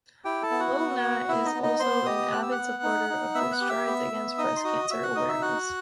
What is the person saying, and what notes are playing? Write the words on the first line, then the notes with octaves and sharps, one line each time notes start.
Lil Nat is also an avid supporter of the Strides against Breast Cancer Awareness.
E4 G4 G5
A4 A5
B3
F#4 F#5
B3
B3
B3 E4 E5
D#4 D#5
B3
D#4 D#5
B3 C5 C6
G4 D#5 D#6
B3 F#6
E6
F#5 F#6
B3
D#4
D#4
B3 E5 E6
F#5 F#6
G4
E5 E6
B3
B3
D#4 D#5 D#6
C6
F#4 D#5 D#6
F#4 E5 E6
F#5 F#6
D#4 D#5 D#6
E5 E6
F#4 F#5 F#6